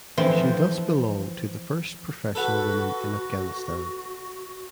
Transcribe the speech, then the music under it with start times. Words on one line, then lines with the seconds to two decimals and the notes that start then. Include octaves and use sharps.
She thus belonged to the first professional women in Afghanistan.
0.18 E3 F3 C4
2.35 F#4 A4 B4 F#5